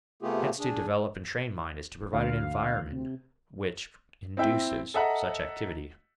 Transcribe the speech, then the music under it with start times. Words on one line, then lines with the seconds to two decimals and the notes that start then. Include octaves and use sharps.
Hence to develop and train mind is to provide an environment which induces such activity.
0.22 C3 A3 B3 F4 G4 G#4
0.59 D4 G#4
2.13 D2 F5
2.92 C3
4.37 C4 E4 E5 G5
4.94 A4 D#5 E5 F#5 A#5